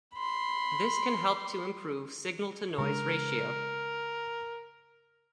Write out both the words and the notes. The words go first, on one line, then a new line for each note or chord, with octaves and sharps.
This can help to improve signal-to-noise ratio.
B5 C6
C#3 G#3 D4 A#4